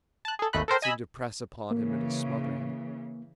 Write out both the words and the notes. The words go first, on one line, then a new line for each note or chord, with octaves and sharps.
It seemed to press upon him and to smother him.
A5 F#6
G#4 A4
G#1 D#2 A3 D#5 B5 F#6
A4 A#4 C5 G5
D#5 G#5 B5 E6
C#3 E3 A#3